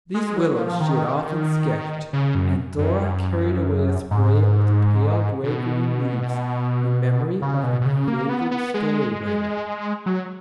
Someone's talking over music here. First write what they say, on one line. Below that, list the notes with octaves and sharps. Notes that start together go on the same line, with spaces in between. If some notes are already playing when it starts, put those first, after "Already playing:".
These willows she had often sketched, and Dora carried away a spray of the pale gray-green leaves, in memory of her favourite story-writer.
G#3
F#3
F3
D#3
C#3
F#2
F#2
G#2
B2
C#3
B2
B2
C#3
A#3
B3
B3
G#3
F#3